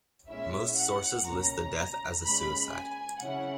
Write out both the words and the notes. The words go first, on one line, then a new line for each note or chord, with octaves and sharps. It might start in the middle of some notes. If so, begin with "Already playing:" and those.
Most sources list the death as a suicide.
A#2 G#3 C#4 E4 E5
F#5
C#2 B2 A#3 C#4 A#5
A#2 G#3 C#4 B5
G#5
C#3 F#3 C#4 E4 F#5